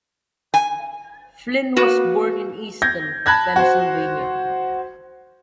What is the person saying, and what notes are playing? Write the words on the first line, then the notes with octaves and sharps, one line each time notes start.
Flynn was born in Easton, Pennsylvania.
G#5
A#3 F#4 B4
G6 G#6 A#6
A5 B5 F#6 G#6 A#6
F#4 C5